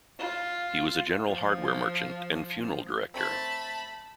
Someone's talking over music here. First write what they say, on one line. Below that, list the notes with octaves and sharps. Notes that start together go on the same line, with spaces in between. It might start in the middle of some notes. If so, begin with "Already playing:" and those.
He was a general hardware merchant and funeral director.
F4
F3
A3 C4 A5 B5